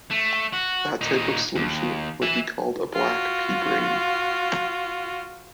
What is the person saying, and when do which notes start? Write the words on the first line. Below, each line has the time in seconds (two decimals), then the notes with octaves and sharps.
That type of solution would be called a black "p"-brane.
0.11 A3
0.53 F#4
1.01 A#2 D#4
1.55 D#2
2.22 E5 G#5
2.94 F4 F#4